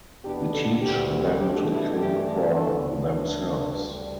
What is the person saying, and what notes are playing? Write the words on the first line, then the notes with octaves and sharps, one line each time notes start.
We teach them to think for themselves.
E2 B2 B3 D4 G4
A4
D2 D3 G3 B3 G4
B2 A3 D4 G4
E4
G2 E3 A3 D4 G4
D2 D3 B3 A4
D2 D3 A3 D4 B4
D2 D3 G3 D4 B4